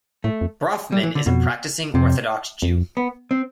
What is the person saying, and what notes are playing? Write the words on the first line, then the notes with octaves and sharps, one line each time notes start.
Brafman is a practicing Orthodox Jew.
A2 A3
F2
G3
E3
D3
F2 B2
F2 C3
F2
B3
C4